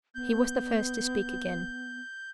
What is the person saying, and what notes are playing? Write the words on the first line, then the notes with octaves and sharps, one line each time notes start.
He was the first to speak again.
B3 G6